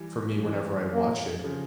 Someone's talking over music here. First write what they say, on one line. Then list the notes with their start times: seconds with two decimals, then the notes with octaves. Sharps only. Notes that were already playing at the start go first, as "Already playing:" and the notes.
for me whenever I watch it.
Already playing: E3 G3
0.43 C3 E3
0.93 A#3
1.43 C#3 F3